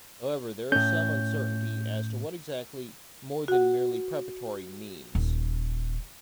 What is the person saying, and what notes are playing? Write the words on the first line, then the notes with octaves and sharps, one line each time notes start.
However, there is some uncertainty as to what exactly 'more than merely preparatory' means.
A2 C#4 G6
F#4 F#5
D#1